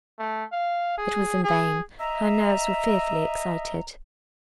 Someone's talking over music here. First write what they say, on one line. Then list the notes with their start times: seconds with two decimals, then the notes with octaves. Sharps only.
It was in vain--her nerves were fearfully excited.
0.19 A3
0.52 F5
0.98 G#4
1.44 G#4
2.00 D#5 E5 A#5